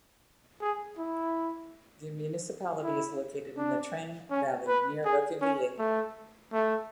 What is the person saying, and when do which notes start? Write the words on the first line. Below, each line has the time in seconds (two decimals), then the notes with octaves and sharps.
The municipality is located in the Trame valley near Reconvilier.
0.61 G#4
0.98 E4
2.83 E4
3.57 D4
4.30 C#4
4.68 B4
5.05 G#4
5.42 C#4
5.79 A3
6.53 A3